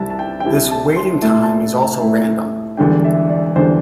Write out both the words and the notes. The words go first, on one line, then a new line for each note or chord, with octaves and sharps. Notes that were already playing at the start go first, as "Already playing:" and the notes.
This waiting time is also random.
Already playing: C2 C3 G3 E4 A5
A5
G5
G5
C2 C3 G3 E4 E5
A5
C6
A2 A3 E4 A5
C6
A5
A2 A3 E4
E1 E2 D3 G3 D4 G5
E5
D5
E1 E2 D3 G3 D4 C5